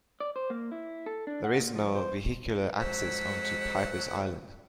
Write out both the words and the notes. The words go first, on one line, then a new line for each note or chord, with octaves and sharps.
There is no vehicular access onto Pipers Island.
D5
C5
A#3
E4
A4
D4
F#5
A#2
F3
C5
F2 F#3 G#3 A4 C5 F#5 B6